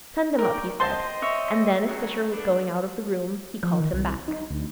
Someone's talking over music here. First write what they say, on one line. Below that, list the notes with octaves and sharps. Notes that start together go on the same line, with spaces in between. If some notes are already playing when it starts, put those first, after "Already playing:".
"Send him up," he said, and then as Fisher was going out of the room he called him back.
C#4 A#4 D5 G5
C4 C5 D#5 A5 C6
C#5 E5
C#3 F#3
B3 D4
F3
D#3
C2
D#4
D2